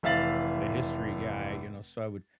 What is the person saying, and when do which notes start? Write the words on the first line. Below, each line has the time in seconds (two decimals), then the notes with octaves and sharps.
a history guy, you know, so I would
0.03 F1 E3 E5 F5 A6 F#7